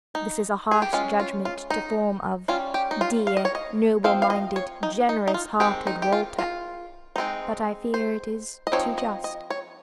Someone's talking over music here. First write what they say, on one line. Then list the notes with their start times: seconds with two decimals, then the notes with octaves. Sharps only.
This is a harsh judgment to form of 'dear, noble-minded, generous-hearted Walter,' but I fear it is too just.
0.15 D#4
0.71 G#4
0.82 G4
0.93 G#3 C#4 F4
1.20 F4
1.45 F4
1.70 D#4
2.48 G3 C#4 F4
2.74 G4
2.91 D#4
3.01 F4
3.27 F5
3.37 D#5
3.45 C#5
3.55 D#5
4.04 F3 C4 F5
4.22 F5
4.30 D#5
4.56 C#5
4.83 D#4
5.09 D#4
5.28 D#4
5.34 F4
5.60 D#3 G#3 C4 G4
5.87 D#4
6.02 G4
6.12 F4
6.39 F4
7.16 G#3 C4 D#4
7.94 C5
8.67 D#5
8.72 F3 C4 D#4 C#5
8.98 D#5
9.24 D#5
9.50 C#5